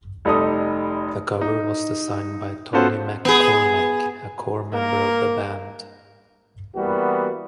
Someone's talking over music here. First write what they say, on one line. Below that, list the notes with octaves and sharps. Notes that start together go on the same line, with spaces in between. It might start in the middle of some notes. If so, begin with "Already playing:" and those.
The cover was designed by Tony McKormack, a core member of the band.
F1 G3 D#4 A4 D#6
D#4
B3 C#4 F4 F#4 A4 C5
B3 G#4
A#3 A#4
E3 G3 A#3 B3 F#4